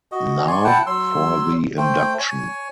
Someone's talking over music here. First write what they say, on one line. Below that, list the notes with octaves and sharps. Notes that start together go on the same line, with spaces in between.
Now, for the induction.
F#4 D#5
D5 G#5 C6 C#6
E4 F#5 G5 A5
F#3 C6 E6
A3 C5 G5
C#5 G#5